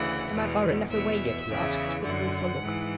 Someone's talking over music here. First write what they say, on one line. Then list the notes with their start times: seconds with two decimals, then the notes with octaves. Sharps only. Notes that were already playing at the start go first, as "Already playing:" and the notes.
"Am I far enough away yet?" he asked, with a rueful look.
Already playing: D2 C#3 E3 F#5
0.30 E2 B2
0.87 E2 B2 E5
1.45 E2 C#3 E3
2.02 F#2 D3 F#5
2.60 G#2 E3